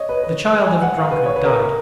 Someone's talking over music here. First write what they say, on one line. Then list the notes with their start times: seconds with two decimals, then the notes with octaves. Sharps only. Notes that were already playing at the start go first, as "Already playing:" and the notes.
The child of a drunkard died.
Already playing: C#5 D#5
0.09 B4
0.23 B4
0.67 G#5
0.82 F#5
0.97 F5
1.11 B4
1.26 C#5
1.36 B4
1.45 A#4